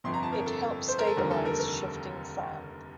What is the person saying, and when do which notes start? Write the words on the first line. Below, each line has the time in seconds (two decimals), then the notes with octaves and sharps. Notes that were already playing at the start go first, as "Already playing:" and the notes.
It helps stabilize shifting sand.
0.04 G1 F2 C3 C6
0.14 A#5
0.23 A5
0.33 A#4
0.46 A4
0.88 C5
0.99 A#4
1.07 A4
1.17 F1 D#2 D3 G3 A#4
1.31 A4
1.45 A#4
1.59 A#4